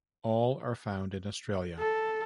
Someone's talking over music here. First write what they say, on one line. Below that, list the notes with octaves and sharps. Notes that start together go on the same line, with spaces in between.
All are found in Australia.
A4